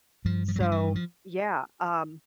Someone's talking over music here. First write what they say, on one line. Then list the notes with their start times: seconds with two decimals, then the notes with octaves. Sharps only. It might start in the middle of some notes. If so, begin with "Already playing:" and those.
So, yeah, um
0.25 G2 F3
0.48 F3
0.56 F#3
0.60 G2 F3
0.72 E3
0.95 F3